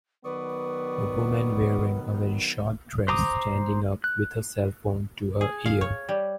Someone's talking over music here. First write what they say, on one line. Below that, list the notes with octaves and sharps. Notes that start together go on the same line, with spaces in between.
A woman wearing a very short dress standing up with her cellphone to her ear.
D#3 F#3 B3 B4 D5 C#6 D#6
C5 A#5 D6 D#6
F#6
G#4
F5
C#5
G3